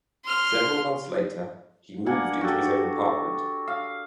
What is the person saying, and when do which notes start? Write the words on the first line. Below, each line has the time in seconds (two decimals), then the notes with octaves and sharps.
Several months later, he moved into his own apartment.
0.24 C6 F6
2.06 A#3 D4 F#5 G#5
2.41 F#4 G4 A4
3.68 F5